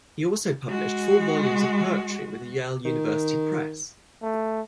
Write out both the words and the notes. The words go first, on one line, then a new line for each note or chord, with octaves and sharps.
He also published four volumes of poetry with the Yale University Press.
G#3 F#4
D#3
A3